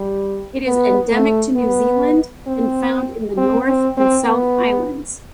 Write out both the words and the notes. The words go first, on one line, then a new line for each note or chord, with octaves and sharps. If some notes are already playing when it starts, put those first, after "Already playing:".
It is endemic to New Zealand and found in the North and South Islands.
Already playing: G3
B3
A3
B3
C4
C4
C4
C4
B3